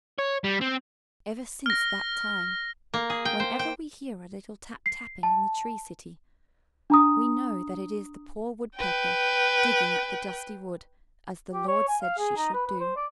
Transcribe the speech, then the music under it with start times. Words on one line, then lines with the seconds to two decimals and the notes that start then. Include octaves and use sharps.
Ever since that time, whenever we hear a little tap-tapping in the tree city, we know that it is the poor Woodpecker digging at the dusty wood, as the Lord said she should do.
0.19 C#5
0.44 G3
0.61 C4
1.66 F6 A#6
2.94 A#3
3.10 G#4
3.25 G5
3.40 C5
3.59 G5
4.86 C7
5.23 A5
6.90 D4 A#5 D#6
8.76 B4 G5
11.53 G4
11.68 C#5
11.88 G#5
12.02 F5
12.18 G#4
12.37 D#4
12.54 B4
12.67 B4
12.80 C5
12.96 D5